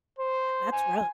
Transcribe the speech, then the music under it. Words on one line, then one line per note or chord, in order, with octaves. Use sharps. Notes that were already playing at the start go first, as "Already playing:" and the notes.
ah, that's rough,
C5
G#5